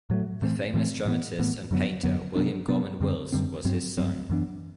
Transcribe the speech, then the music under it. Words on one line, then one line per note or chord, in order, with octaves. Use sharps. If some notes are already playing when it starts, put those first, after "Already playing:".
The famous dramatist and painter William Gorman Wills was his son.
A2 F#3 A3
A2 E3 A3 C4
A2 E3 A3 C4
A2 E3 B3
A2 E3 B3
F#2 D3 F#3 B3
F#2 D3 F#3 B3
C3 F#3 B3 D4
C3 F#3 B3 D4
F#2 D3 G3 C4
F#2 D3 G3 C4
G2 F#3 C4
G2 F#3 C4
F#2 E3 B3 D4